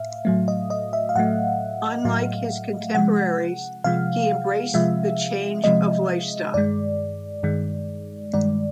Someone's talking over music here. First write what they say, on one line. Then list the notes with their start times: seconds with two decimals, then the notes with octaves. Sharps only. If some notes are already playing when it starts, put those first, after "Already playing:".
Unlike his contemporaries, he embraced the change of lifestyle.
Already playing: A2 E5 F5
0.25 A2 F#3 A3
0.48 D#5
0.70 D#5
0.93 E5
1.09 F5
1.15 A2 F#3 A3 F#5
2.05 A2 F#3 A3 F5
2.95 C3 F3 G#3 F#5
3.84 C3 F3 G#3 F5
4.74 C3 F3 G#3 E5
5.64 C3 F3 G#3 D#5
6.54 G2 D#3 G#3 D5
7.43 G2 D#3 G#3
8.33 G2 D#3 G#3 D5